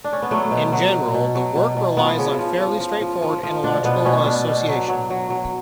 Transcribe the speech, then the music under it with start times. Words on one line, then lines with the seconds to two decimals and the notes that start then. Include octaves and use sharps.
In general, the work relies on fairly straightforward analogical association.
0.04 D4
0.13 C#4
0.22 B3
0.31 F#3 A3
0.51 B2
0.72 F#3
0.92 B2
1.14 B2
1.35 F#3
1.55 B2
1.77 B2
1.97 F3 B3
2.18 C#3
2.39 F3
2.60 F3
2.80 F3
3.01 F3
3.22 F3
3.43 F3
3.64 B2 D4
3.84 B2 B3
4.05 B2 C#4
4.26 B2 D4
4.47 B2
4.68 F#3
4.88 F#3
5.10 F#3
5.30 F#3